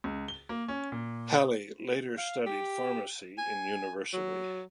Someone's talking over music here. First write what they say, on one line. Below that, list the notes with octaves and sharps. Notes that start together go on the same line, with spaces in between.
Halley later studied pharmacy in university.
C#2
G7
A#3
C#4
A#2
F5
G4
G#5
F#3